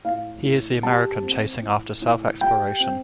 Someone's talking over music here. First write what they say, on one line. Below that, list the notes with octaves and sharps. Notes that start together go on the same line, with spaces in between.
He is the American chasing after self-exploration.
A2 F5
A2
G3 A5
C4
A2
A2
G3 G5
C4